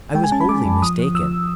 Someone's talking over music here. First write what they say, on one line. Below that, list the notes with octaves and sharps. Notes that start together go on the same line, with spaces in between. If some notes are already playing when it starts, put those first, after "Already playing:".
I was wholly mistaken.
G#3 G5
G#5
C#4 A5
B5
G#3 D6
F#2
F3 D#6
F3
F3 E6